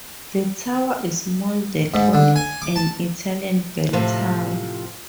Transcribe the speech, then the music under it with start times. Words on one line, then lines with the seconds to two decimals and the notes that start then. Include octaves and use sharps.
The tower is modeled on an Italian bell tower.
1.94 G#2
2.13 D3
2.36 G#5
2.62 D6
2.76 A5
3.93 A2 C3 F3